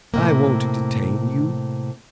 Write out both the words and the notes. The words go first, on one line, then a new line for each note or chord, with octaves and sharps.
I won't detain you.'
A2 C3 A#3